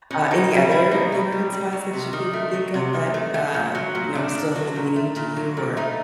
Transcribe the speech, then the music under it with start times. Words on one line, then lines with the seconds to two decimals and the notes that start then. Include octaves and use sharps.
Uh, any other neighborhood spots that you could think of that, uh, you know, still hold meaning to you or
0.11 B2 C#4
0.31 B2 D#4
0.52 G3 E4
0.71 G3 E4
0.91 B2 D#4
1.12 B2
1.32 G3
1.52 G3
1.73 F#3
1.93 C3
2.13 D#3
2.33 A3
2.53 F#3
2.74 C3
2.94 D#3
3.14 A3
3.34 A3
3.54 A#2
3.75 F#3
3.95 A#2
4.15 A3 D4
4.35 A#2
4.56 F#3
4.76 A#2
4.96 A3
5.16 A#2
5.37 F#3
5.57 A#2
5.77 A3 D#4